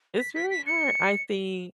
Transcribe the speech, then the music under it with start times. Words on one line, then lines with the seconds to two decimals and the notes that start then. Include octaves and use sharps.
It's very hard. I think
0.19 B6
0.35 B6
0.51 B6
0.67 C#7